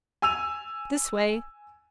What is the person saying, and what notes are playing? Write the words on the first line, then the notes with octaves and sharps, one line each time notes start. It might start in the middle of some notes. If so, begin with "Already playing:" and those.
This way.
G#5 E6 D#7 F7